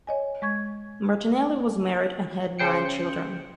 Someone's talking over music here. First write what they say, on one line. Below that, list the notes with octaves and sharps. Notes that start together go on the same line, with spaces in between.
Martinelli was married and had nine children.
C#5 D#5 G#5
G#3 C#6 G#6
C#3 C5 G5 C#7